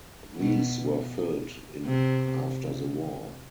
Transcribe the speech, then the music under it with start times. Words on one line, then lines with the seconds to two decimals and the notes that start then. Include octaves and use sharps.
These were filled in after the war.
0.36 B2
1.86 C3